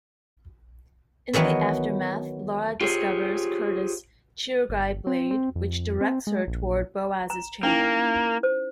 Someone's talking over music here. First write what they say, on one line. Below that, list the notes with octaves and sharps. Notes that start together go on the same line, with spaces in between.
In the aftermath, Lara discovers Kurtis' Chirugai blade, which directs her towards Boaz's chamber.
D#3 E3 F#3 B3
F4 G4 G#4 C5 C#5
G1
C4
C4
F2
C4
G#3
A#1
A#5
A#3 C#4 D#4 E4
C5